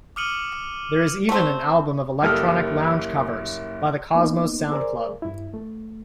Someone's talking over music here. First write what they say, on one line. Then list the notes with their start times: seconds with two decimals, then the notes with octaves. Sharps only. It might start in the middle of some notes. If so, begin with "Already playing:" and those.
There is even an album of electronic lounge covers, by the Cosmos Sound Club.
0.16 D6 D#6 F6 C#7 D#7 F#7
1.29 A3 C4
2.22 F#1 G3 A#3 A4 D#6 F6
4.15 A#3 B3 D#4
4.72 G#4 A#4 C5 D5
5.22 G2 E4
5.54 A3